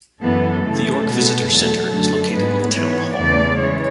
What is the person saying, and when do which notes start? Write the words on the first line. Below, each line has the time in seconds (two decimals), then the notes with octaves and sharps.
The York Visitor Centre is located in the Town Hall.
0.23 F#2 E3 B3 A4
0.65 C#3 E3 A3
1.06 B2 G#3 B3
1.49 E2 B2 F#3 A3 A4
1.90 F#2 D3 A3 A4
2.32 G#2 G#3 B3 B4
2.74 G#2 E3 B3 C#5
3.16 E2 C#3 E3 A3 D5
3.57 E3 G#3 C#5